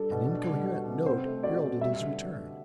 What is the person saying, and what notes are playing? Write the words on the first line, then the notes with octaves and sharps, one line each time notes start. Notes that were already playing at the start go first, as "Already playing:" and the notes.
An incoherent note heralded his return.
Already playing: G2 G3 D4 A4
B2
D4
G3
F#4
C3
C4 C5
A3
F#4 D5
B2
G3 E5
D3